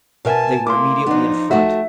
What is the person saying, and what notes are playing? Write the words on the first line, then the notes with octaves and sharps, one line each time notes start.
They were immediately in front.
B2 A#4 E5 G#5 A5
A3 A#3 E4 C6 D6
F3 B3 D4 D#4
A3 F#4 E5